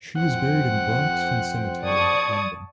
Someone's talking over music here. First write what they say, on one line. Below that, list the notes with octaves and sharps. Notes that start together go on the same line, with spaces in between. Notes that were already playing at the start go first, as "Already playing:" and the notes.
She is buried in Brompton Cemetery, London.
F2 C5 F#5 G5
D5 A5 C#6 D#6 G#6